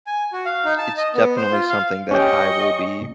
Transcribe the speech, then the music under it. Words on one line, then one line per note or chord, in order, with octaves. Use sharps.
it's definitely something that I will be
G#5
F#4
F5
D#4
A5
D#5
B3
C5
F4
F5
C#4 G4 D#5 G5 C#6